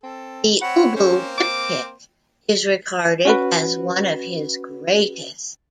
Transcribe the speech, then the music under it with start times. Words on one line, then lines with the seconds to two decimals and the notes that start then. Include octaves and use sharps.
"The Ubu diptych" is regarded as one of his greatest.
0.03 C4 A4
0.62 C4 C#5 F#5 B5
0.96 A#3 C4 C#4 C5
1.38 D6
3.25 C#4 F#4 B4